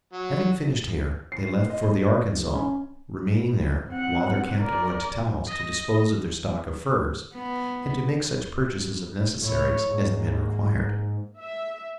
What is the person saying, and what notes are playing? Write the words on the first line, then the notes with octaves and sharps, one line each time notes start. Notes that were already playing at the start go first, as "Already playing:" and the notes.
Having finished here, they left for the Arkansas, remaining there while their captain went to Taos to dispose of their stock of furs and to make such purchases of necessaries as the men required.
F#3
C7
D#5
E1
C#4
C4 F#5
A#4 D5
D#5 A#6
B3
A2 E4 C#5
G#2 A#3
E5